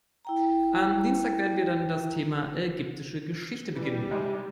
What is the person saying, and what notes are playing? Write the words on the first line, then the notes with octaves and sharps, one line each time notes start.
Am Dienstag werden wir dann das Thema ägyptische Geschichte beginnen.
E4 G5 A#5
E3 G3
C3 G#3 D#4